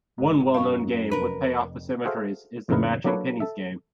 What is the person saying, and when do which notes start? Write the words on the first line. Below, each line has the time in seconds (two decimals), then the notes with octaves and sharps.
One well-known game with payoff asymmetries is the matching pennies game.
0.18 G#2
0.54 F#2 F5 C#6
1.11 F1 F2 A#4 B4
2.05 F#4 G#4 A4 C5 E5 F5
2.69 F2 A2 C#3 D#4 A#4 B4
3.04 F#3 A#3 D4 A4 B4 C#5
3.40 A4 E5